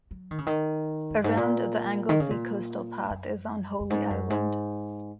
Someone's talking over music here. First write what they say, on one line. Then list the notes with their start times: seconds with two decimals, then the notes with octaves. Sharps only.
Around of the Anglesey Coastal Path is on Holy Island.
0.11 F#3
0.31 D#3
0.38 C#3
0.47 D#3
1.11 F#2
1.24 G#2
1.37 A#2
2.09 D#3
2.20 C#3
2.30 A#2
3.10 F#2
3.80 F#2
3.90 G#2
4.10 F#2
4.30 G#2